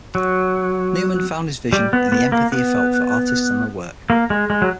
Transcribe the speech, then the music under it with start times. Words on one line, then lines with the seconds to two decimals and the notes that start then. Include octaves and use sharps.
Newman found his vision in the empathy he felt for artists and their work.
0.15 F#3
1.73 G3
1.93 B3
2.12 B3
2.32 A#3
2.52 B3
4.10 A#3
4.30 G#3
4.50 G#3
4.62 F#3